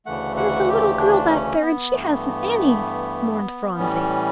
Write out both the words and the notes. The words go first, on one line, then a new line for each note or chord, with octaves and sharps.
"There's a little girl back there and she hasn't any," mourned Phronsie.
D2 C#3 E3 A3 F#5
F#5
G4
D4
C#4
B3
G2 E3 A3
A2 E3 G3 C#4